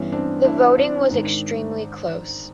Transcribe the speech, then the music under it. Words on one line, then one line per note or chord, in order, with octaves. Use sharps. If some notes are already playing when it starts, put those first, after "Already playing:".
The voting was extremely close.
Already playing: G2 E3 B3 C#4
C4 D4
D4 E4
C4 D4
G#2 D#3